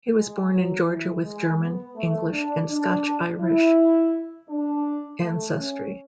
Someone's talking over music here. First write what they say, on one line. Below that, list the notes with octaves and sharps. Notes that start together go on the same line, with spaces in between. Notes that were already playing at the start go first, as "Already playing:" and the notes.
He was born in Georgia with German, English and Scotch-Irish ancestry.
G#3
F#3
E3
G#3
B3
A3
D4
D4
E4
D4
A3
C#4